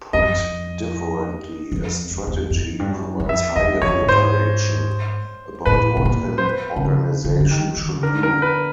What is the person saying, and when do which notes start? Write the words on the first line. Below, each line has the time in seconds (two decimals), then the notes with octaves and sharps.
Put differently, a strategy provides high-level direction about what an organization should do.
0.13 F2 D#5
0.22 F#2
0.31 F2
1.72 F2
2.11 E2
2.27 E2
2.50 F2
2.79 G2
2.90 F#2
3.20 F#2
3.29 F2 E5
3.56 E2 D#5
3.81 F2 C#5
4.01 A2
4.08 G#2 C5
5.66 A2 B4
5.97 B2
6.05 A#2
6.38 C5
6.45 B4
6.76 C3
6.85 C#3
7.24 D3
7.40 D3
7.51 D#3
7.77 D#3
7.95 C#3
8.03 D3 A#4
8.23 A#4
8.42 B4